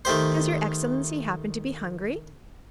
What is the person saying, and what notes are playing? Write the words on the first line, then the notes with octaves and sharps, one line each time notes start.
"Does your excellency happen to be hungry?"
D#3 A3 G4 C5